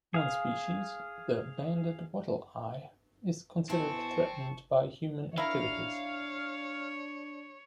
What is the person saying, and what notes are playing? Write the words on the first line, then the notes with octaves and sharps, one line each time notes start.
One species, the banded wattle-eye, is considered threatened by human activities.
G#4 F5
B2 C4 E4 G#5 A5 C#6
D4 E4 A#4 C#5 F5